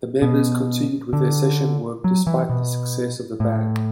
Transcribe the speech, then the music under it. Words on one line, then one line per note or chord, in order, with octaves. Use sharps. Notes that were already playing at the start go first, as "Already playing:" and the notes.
The members continued with their session work despite the success of the band.
B2
D3
F#3
E3
B2
A2